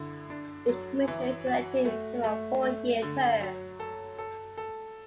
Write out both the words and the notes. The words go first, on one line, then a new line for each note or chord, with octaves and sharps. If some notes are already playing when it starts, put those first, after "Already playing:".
Each commissioner is elected to a four-year term.
Already playing: D3 E4
D4
F#3
E3
F#4
A3
A3
A3
D3
F#3
A4
A4
A4